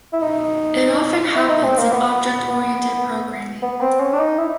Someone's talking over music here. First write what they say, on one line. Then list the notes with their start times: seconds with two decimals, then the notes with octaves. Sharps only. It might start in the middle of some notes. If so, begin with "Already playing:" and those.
It often happens in object-oriented programming.
0.13 E4
0.22 D#4
1.36 E4
1.50 D#4
1.64 C4
1.78 A#3
1.92 B3
3.62 B3
3.81 C4
4.00 C#4
4.13 D4
4.19 D#4
4.39 E4